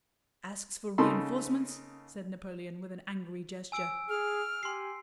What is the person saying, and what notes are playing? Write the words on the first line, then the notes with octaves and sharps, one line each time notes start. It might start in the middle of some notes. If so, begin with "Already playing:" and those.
"Asks for reinforcements?" said Napoleon with an angry gesture.
C#3 A#3 D#4 A4 B5 C6
G#5 E6 D7
G#4 F6
G4 G#5 C6 C7